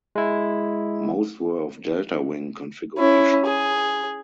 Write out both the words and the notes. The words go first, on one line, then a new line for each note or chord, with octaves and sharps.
Most were of delta wing configuration.
G#3 E4
C#4 E4
G#4